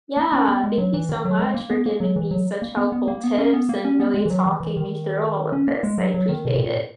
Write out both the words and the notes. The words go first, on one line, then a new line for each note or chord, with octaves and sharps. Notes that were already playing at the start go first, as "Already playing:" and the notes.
Yeah. Thank you so much for giving me such helpful tips and really talking me through all of this, I appreciate it.
A#3
C#4
B3
G#3
F#3
E3
D#3
F#3
G#3
A#3
B3
A#3
F#3
E3
F#3
A#3
B3
B3
A#3
B3
C#4
B3
A#3
C#4
B3
G#3
E3
F#3
E3
E3
D#3
C#4
A#3
G#3
F#3
F#3
D#3
B2
B2
A#2